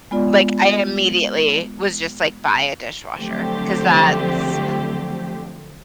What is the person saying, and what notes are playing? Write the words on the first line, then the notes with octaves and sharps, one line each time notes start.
like, I immediately was just like, "Buy a dishwasher." 'Cause that's
G#3 B3 F4 D5
D3 F3 F#3 A3 C4 G4